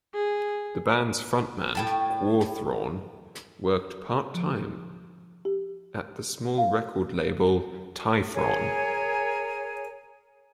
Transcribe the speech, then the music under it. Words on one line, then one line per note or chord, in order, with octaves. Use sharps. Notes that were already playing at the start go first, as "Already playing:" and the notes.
The band's frontman, Quorthon, worked part-time at the small record label Tyfon.
G#4
A2 G5 A5
F3
G4
F5
G#4 A#4 C#5 G#5